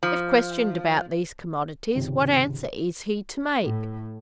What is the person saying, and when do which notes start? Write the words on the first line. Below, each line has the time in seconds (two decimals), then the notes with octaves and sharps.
If questioned about these commodities, what answer is he to make?
0.03 F3
1.95 G#1 C#2 C3 C#4
3.61 A2